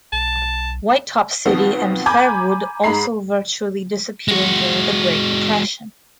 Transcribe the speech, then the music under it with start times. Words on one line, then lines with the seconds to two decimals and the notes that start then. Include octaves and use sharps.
Whitetop City and Fairwood also virtually disappeared during the Great Depression.
0.13 B1 A5
1.45 B2 D#3 F3 B3 C4
2.06 G#5 A#5 B5 D6 G6 G#6
2.84 G#2 G#3 A#5 B5 C7
4.28 G#3 F#4